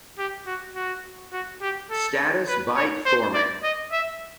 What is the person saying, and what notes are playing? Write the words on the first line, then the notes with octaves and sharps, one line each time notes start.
Status byte format.
G4
F#4
F#4
F#4
G4
A4
B4
C#5
C5
D5
D#5
E5